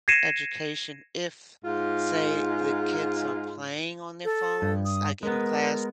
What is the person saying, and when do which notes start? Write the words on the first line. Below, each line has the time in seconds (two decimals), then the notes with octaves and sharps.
education if, say, the kids are playing on their phones, like in class.
0.08 G#6 A#6 C7 C#7 D#7 E7
1.64 G#2 F4
4.25 A4
4.62 G2
4.85 D#6
5.23 G#3 B3 A#4